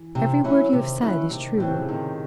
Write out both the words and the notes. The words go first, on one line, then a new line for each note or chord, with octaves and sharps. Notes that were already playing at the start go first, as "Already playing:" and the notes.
Every word you have said is true.
Already playing: E3
C3
F#3 C#4 E4
C3 D#3
F#3 C#4 E4
C3 D#3
A2 F#3 C4
C3
C#3
C3 D#3